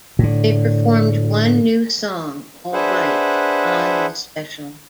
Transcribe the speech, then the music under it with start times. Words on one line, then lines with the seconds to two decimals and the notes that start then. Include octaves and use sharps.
They performed one new song, "Alright," on this special.
0.19 A2 D3
2.73 D4 G#4 B4 C5 E5 F#5